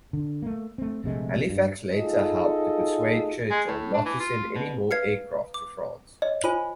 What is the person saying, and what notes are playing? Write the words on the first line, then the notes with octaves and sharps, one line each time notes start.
Halifax later helped to persuade Churchill not to send any more aircraft to France.
D3
A3 A#3
A3 C4
A#1 C3 G#3 A3
G2
D#4 F4 F#4 G#4 A4 D#5
G#3
A2
D4
E3
F4
B2
B4 F5 G#6 C7 C#7
D6
C#5 D#5
F4 C5 G#5 B5 D#7